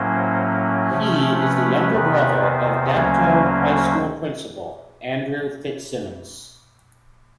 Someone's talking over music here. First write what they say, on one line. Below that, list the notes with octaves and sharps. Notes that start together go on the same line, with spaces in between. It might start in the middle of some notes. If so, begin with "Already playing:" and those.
He is the younger brother of Dapto High School Principal, Andrew FitzSimons.
Already playing: A2 F#3 A#3 C#4 C5
C3 F3 A3 C#4
B4
E2 C3 D#3
C5
D2 C#3 F#3 A#3 C#4
C5